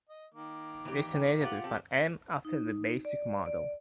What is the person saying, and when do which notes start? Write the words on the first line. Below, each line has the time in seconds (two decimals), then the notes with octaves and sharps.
Designated with an "M" after the basic model.
0.09 D#5
0.35 D#3 A#3 D6
0.85 E3 G4
1.41 F4 G4 F#5
1.64 C4 G4 A4
2.45 D#4
3.05 D5
3.46 D5